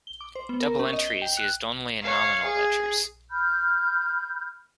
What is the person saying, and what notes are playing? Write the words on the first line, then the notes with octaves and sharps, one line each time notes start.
Double entry is used only in nominal ledgers.
G7
D6
C5
B3
A#4
C#4
D#5
G7
G5
F#6
C#5 F5
G#4
B5 F6 G6